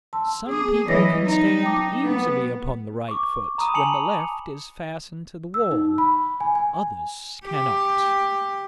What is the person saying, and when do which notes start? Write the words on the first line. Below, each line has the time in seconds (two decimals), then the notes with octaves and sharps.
Some people can stand easily upon the right foot when the left is fastened to the wall ... others cannot....
0.13 A5 C6 E6
0.48 B3 G#4 D6
0.88 E3 F#3 C#5 D#5 A#6
1.26 D#4
1.63 G5 A5 D6
2.04 B3
3.08 C#6 D6
3.58 A#5 B5 D#6 D#7
3.74 G#5 A5 D#6 C#7 F7 F#7
5.54 E6
5.71 D#4
5.98 B5
6.40 G#5
6.55 G#5
7.45 G4